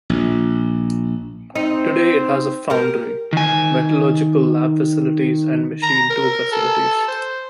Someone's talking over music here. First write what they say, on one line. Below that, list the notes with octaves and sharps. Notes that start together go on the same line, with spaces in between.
Today it has a foundry, metallurgical lab facilities, and machine tool facilities.
A#1
C4 D#4
G4 A#4
D#3 G#5
A#5
A#4
A4
C5